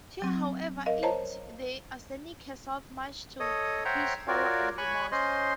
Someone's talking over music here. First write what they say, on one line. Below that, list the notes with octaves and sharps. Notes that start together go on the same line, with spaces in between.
She however eats the arsenic herself, much to his horror and remorse.
F#3 C4
A#4 D#5 F5
C5 C#5 D#5 A5 A#5
A4 C#5 D#5 D#6
C5 C#5 E5 F#5 G5 A#5
F4 F#4 A#4 C#5 D5
C#5 G#5 B5 C#6 F#6
C#4 C5 D#5 C6